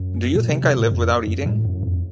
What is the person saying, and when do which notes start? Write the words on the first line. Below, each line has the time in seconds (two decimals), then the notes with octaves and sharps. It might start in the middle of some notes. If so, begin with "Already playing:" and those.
Do you think I live without eating?
Already playing: F#2
0.35 A#2
0.49 C3
0.64 C3
0.77 A2
0.92 F2
1.27 F#2
1.46 A2
1.65 F#2
1.83 F2